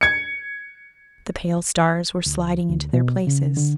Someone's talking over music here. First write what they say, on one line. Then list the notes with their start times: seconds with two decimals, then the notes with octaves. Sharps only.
The pale stars were sliding into their places.
0.01 G#6 C#7
2.26 D2
2.70 D2
2.93 B2
3.27 C#3
3.57 D3